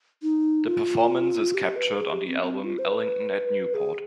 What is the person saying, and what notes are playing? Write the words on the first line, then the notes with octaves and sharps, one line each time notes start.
The performance is captured on the album "Ellington at Newport".
D#4
F4
G4
B4
G#4
G4
C4
C4
F4
C5
B4
G#4